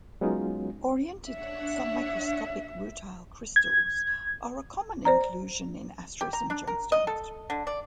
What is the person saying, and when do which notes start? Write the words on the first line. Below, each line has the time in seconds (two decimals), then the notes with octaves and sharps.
Oriented sub-microscopic rutile crystals are a common inclusion in asterism gemstones.
0.21 F#3 G#3 B3 C#4 D#4 F4
1.27 D4 C#5 E5 F#5
3.56 G#6
5.05 C5 D5 A#5
6.21 G4
6.33 A#5
6.50 D4
6.67 A#4
6.92 D#5
7.07 A4
7.50 D3
7.67 D5